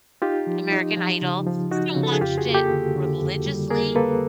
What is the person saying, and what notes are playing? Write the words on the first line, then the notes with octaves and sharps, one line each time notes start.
American Idol. I haven't watched it religiously
D#4 F4 G4
F3
D#4
F3
C#3
F3
D#4 F#4
C#3
A4
G#4
F2 F4 G4
F#4 G#4
A#3
G4 A4
D3
D3
F2
G3
A#3 G#4 A#4
A#3 A4 B4